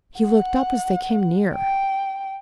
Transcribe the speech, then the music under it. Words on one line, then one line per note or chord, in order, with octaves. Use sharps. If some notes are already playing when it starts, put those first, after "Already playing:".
He looked up as they came near.
F#5
G5